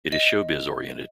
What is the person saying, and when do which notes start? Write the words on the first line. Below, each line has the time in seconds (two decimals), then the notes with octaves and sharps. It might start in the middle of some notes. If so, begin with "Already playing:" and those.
It is showbiz oriented.
0.12 D#5